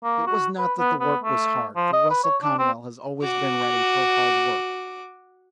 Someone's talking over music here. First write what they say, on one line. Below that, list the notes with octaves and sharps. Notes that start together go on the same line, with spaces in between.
It was not that the work was hard, for Russell Conwell has always been ready for hard work.
A#3
F#4
B4
B3
B3
A3
F3
D#5
B4
C#5
D4
C4
F#4 D6